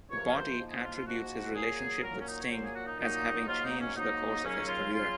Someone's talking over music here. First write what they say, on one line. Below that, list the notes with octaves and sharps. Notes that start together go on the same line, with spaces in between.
Botti attributes his relationship with Sting as having changed the course of his career.
C#2 C3 F3 A#3 C#5
A#4
C5
G#2 F3 A#3
G#4
F4
F4
G#2 F3 A#3 F#4
A#2 F#3 A#3 G#4
A#2 F#3 A#3 A#4
C#4
D#4
C#5
A#2 F#3 A#3 C5
G#4
F#4
D#4
A#2 F#3 A#3 D#4
G#2 F#3 A#3 F4
D#4
C#4
G#2 F#3 A#3 D#4
D#2 C#3 F#3 A#3 C#4
F4
C#3 F#3 A#3 F4